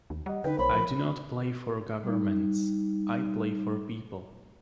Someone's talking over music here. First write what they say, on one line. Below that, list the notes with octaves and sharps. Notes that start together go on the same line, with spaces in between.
I do not play for Governments, I play for people.
D#2
G3 D#5 F#5
D3 D#4 B4 G5
B1 A#4 C5 C#5 B5
F3
G3 D#4